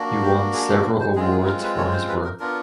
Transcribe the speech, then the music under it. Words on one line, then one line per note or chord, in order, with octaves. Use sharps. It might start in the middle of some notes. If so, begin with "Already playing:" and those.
He won several awards for his work.
Already playing: A#3 D4 F#4
G4
G#4
G#4
F#4
C5
G#3 C4 F4 G#4
G#4
A#4
B4
C#5
C5
B4
A#4
B3 D4 F4 A#4